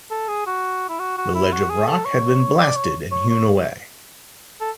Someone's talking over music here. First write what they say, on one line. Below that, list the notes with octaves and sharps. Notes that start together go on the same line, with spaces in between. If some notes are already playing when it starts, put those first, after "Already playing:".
The ledge of rock had been blasted and hewn away.
A4
G#4
F#4
E4
F#4
F#4
E4
F#4
G#4
A4
C#5
D5
C#5
C#5
C#5
A4